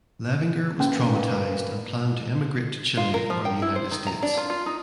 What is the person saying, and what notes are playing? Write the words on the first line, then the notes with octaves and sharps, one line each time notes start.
Levinger was traumatised and planned to emigrate to Chile or the United States.
D2 A#3 C#4 B4
F4
A#4
F3
G5
E4
C5
D#3
A#5
D4
F4
F4
D#4